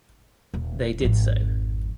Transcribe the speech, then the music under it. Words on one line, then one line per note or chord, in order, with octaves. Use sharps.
They did so.
D#1 F4
G#1 F2